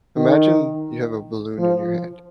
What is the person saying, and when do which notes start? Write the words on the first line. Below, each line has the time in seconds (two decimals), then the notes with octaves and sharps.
imagine you have a balloon in your hand,
0.17 D#3
1.58 F3